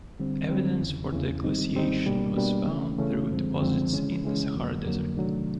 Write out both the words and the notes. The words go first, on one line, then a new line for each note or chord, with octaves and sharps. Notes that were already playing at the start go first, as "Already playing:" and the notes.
Evidence for the glaciation was found through deposits in the Sahara Desert.
D3 G3 C4
D3 G3 C4
E2 C#3 E3
E2 C#3 E3
G#2 D#3 G3 C4 D#4
G#2 D#3 G3 C4 D#4
B2 G3 A#3 D4
B2 G3 A#3 D4
C#3 E3 A3 C#4
C#3 E3 A3 C#4
F#2 D3 F3 G#3 C4
F#2 D3 F3 G#3 C4
C#3 E3 G#3 C#4
C#3 E3 G#3 C#4
F2 D3 F#3 A#3
F2 D3 F#3 A#3
C3 D#3 F#3 A3 D4